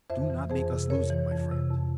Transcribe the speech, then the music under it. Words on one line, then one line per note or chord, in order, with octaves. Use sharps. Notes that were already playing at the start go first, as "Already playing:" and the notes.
"Do not make us lose it, my friend."
F2 C5 E5
E3
F2 G#4 C5
C3
F2 A#4 C#5
E3
F2
C3
F2